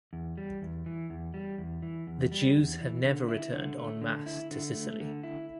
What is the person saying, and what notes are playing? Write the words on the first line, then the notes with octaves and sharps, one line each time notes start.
The Jews have never returned en masse to Sicily.
E2
G3
E2
E3
E2
G3
E2
E3
E2
G3
E2
E3
D3
E4
D3
A3
D3
E4
D3
A3
D3
E4